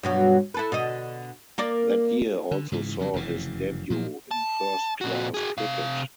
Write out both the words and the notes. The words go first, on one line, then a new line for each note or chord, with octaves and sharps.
That year also saw his debut in first-class cricket.
G2 B2 F#3
E4 A4 B4
B2 D3 D#5
A#3 A#4 D5
D3
G#2 C#3 E3
F2 C#3 F#3
F1 F#2 C#3 E3
A#2 F3 F#3
A5
A#2 F#4
F#4 G#4
C3 F5